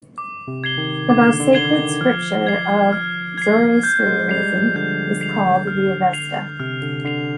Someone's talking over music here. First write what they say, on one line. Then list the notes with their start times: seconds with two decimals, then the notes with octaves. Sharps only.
The most sacred scripture of Zoroastrianism is called the Avesta.
0.18 D6
0.48 C3
0.64 G#6 C7 G7
0.78 D#3
1.09 D3 D6
1.40 D3
1.54 G#6 C7 G7
1.70 D#3
2.01 F3 F6
2.47 G#6 C7
2.92 F6
3.38 G#6 C7
3.83 G6
4.06 G#3
4.29 G3 C7 F7
4.53 F3
4.76 D3 G6
5.21 C7 F7
5.67 F6
6.13 C7 F7
6.60 C3 F6
6.82 D3
7.04 D3 C7 F7